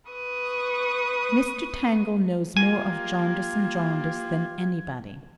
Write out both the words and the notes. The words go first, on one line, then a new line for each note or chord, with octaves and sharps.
Mr. Tangle knows more of Jarndyce and Jarndyce than anybody.
B4 C#6 D#6
A#3 F4 G4 G#5 G#6